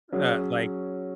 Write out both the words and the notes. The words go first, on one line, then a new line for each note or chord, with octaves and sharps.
Uh, like,
F#3 C#4 G#4